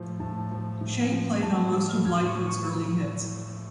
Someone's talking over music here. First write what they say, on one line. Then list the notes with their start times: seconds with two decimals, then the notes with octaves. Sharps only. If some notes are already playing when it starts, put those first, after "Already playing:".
Shea played on most of Lightfoot's early hits.
Already playing: A2 F3
0.20 A2 A5
0.51 F3
0.81 A2
1.12 F3
1.43 A2 A5
1.59 B5
1.73 F3 D6
1.89 F6
2.05 A2 G#6
2.26 C#6
2.35 F3
2.46 C#6